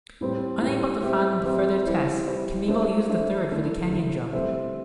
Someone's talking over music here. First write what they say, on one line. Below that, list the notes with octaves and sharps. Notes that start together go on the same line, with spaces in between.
Unable to fund further tests, Knievel used the third for the canyon jump.
A2 G3 C4
A2 G3 C4
C4 G4 E5
C4 G4 E5
G3 E4 C5
G3 E4 C5
A3 D4 A4 C5 E5
A3 D4 A4 C5 E5
D3 A3 E4
D3 A3 E4
G3 C4 A4 C5 E5